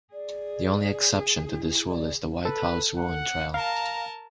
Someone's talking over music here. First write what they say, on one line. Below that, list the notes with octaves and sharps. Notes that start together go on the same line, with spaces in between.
The only exception to this rule is the White House Ruin Trail.
G#4 D5
E4
D5
A4 B4
F#5
A#4 F5 A5 A#5